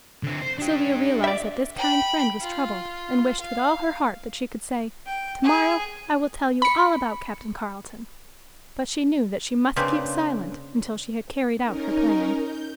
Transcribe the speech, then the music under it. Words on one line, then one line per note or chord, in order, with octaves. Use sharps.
Sylvia realized that this kind friend was troubled, and wished with all her heart that she could say: "To-morrow I will tell you all about Captain Carleton." But she knew that she must keep silent until she had carried out her plan.
D3 C4
C5
D4 G4
D5 E5
G5 B5
F4
F5
G5
G#4
B5 C#7
C#3 A#3 C4 D4 B4 C5
C#4 D#4 A#4
G6